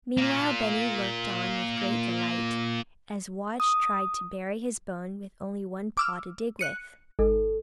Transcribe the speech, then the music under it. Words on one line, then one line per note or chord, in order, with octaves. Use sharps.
Meanwhile Benny looked on with great delight as Watch tried to bury his bone with only one paw to dig with.
A#3 F4
D#6
D6 E6 F6
F#6 C#7 D#7
G#1 A4